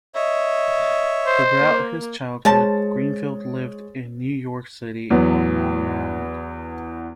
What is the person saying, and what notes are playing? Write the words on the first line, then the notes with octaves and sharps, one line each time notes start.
Throughout his childhood, Greenfield lived in New York City, on Long Island.
C#5 D#5 E5
C5
A#3
F3 G#3 C#5 A5 A6
E2 F#3 B3